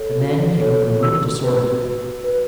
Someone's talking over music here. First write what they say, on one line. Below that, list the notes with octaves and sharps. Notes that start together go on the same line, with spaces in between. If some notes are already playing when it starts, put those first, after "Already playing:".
And then came a remote disorder.
Already playing: A4 C#5
F#4
A4 C#5
F#4 E6
B4
F#4
B4